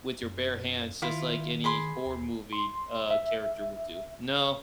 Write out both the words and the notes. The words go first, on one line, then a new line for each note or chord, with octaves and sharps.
with your bare hands, just like any horror movie, uh, character would do. No,
F#2
D#3 E4 F4 F5
G#4 B5 C6
D#2
C6
E5